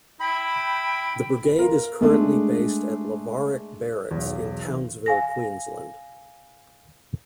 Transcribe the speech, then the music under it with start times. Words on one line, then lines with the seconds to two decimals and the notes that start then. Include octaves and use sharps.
The brigade is currently based at Lavarack Barracks in Townsville, Queensland.
0.20 E4 G5 B5
1.59 F4 A#4
2.01 G#3 A3 D4 G#4
4.11 B1 E2
5.06 F5 G#5 A#6